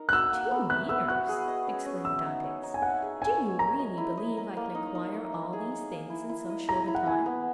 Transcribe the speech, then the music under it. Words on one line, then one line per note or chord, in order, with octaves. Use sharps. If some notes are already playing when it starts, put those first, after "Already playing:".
"Two years!" exclaimed Dantes; "do you really believe I can acquire all these things in so short a time?"
Already playing: D#4 A#4
F#6
F#4 E6
A#3
B3
E5 F#6
B3 E6
F#4 F#6
G#4
D#5
C#4
C#4
E5 E6
D#4
C#5
D#4
G#5
E5 F#5
G#4
C#5 G#5
C#5
A#4 A#5
D#5
E4
D#5
A#4
A#3
D#4
D#4
E5
D#4
G#4
D#4
A#3
E4
E4
D#5
G#4 A#5
E4
F#5
E4 G#5
B3